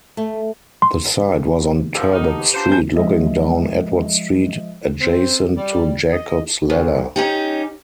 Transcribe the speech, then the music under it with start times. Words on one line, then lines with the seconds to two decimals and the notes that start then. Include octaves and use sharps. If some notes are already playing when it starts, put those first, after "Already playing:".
The site was on Turbot Street looking down Edward Street, adjacent to Jacob's Ladder.
0.17 A3
0.82 C6
1.95 F3 G4 B4 F5 A#5 E6
2.13 D#4 G4 F#5 F6
2.26 A4 C#5
2.39 B3 G4 C#5
2.53 A#2 D4 F4 G4 C5
2.69 F2 E4 A#4 E5 G#5 G6
2.96 F3 G#3 D#5 E5
5.01 C4
5.57 G3
6.13 D#5
6.70 D2
7.16 C#4 D#4 G4